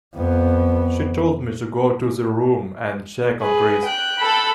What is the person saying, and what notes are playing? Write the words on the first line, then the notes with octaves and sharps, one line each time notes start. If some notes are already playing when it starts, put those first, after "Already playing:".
She told me to go to the room and check on Chris.
F2 B3
G#4 B4
G5 F#6
A4 B5